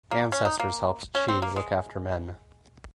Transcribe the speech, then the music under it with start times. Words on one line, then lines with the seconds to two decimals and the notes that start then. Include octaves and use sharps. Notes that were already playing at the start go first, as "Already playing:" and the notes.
Ancestors helped chi look after men.
0.11 A#3
0.32 C#4
0.45 D#4
0.60 A#3
1.15 C#4
1.28 C4
1.42 A#3
1.56 G#3